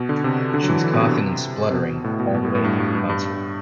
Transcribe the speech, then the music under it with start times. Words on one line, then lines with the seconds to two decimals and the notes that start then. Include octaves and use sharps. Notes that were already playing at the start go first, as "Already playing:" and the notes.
She was coughing and spluttering all the way through the concert.
Already playing: B2
0.09 D3
0.24 C3
0.54 D3
0.63 F#3
0.69 E3
0.84 E3
0.93 B2
1.00 C3
1.70 C3
1.75 B2
2.04 A2
2.20 B2
2.35 B2
2.45 A2
2.55 A2
2.64 G2
2.80 G2
2.95 G2
3.09 G2
3.25 G2